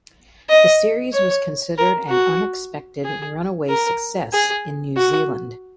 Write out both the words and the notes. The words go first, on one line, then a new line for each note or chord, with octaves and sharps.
The series was considered "an unexpected runaway success" in New Zealand.
D#5
C#5
A#4
F#4
G#4
A#4
G#4
F#4